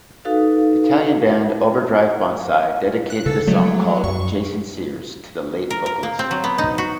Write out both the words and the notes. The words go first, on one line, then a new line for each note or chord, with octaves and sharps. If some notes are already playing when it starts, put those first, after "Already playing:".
Italian band Overdrive Bonzai dedicated a song called "Jason Sears" to the late vocalist.
D#4 F#4 A4 B4 F5
F#6
C#3 A4
F3 F#3 G#3 A3
F#2 C#6
A#4
A#4
A#3
C4
F#3
B3
D#4
F#4